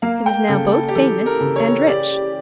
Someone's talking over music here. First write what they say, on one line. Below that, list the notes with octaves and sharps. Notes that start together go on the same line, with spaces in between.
He was now both famous and rich.
A#3 F5
G5
C#3 A4
A4
G4
E3 A4
A#4
C#3
C#5
G4 D5